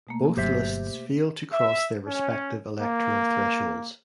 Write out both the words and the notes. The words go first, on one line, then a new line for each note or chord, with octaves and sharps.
Both lists failed to cross their respective electoral thresholds.
B2 A3 A#3
G1 F#3 G4 C5 E5
E5
C#4
A#3